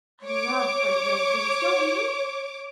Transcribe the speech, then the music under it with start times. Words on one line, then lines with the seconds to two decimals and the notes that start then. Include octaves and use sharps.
I love bright red drinks, don't you?
0.25 C#5 D6